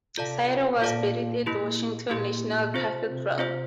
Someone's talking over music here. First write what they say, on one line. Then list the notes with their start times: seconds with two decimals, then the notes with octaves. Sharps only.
Sayre was buried at Washington National Cathedral.
0.17 C3 F4 A4 D5 F5 A5
0.81 A#2 F4 A4 D5 F5 A5
1.46 A#2 A#3 E4 G4
2.09 A#2 A#3 E4 G4
2.74 C3 C4 F4 C5
3.38 C4 F4 C5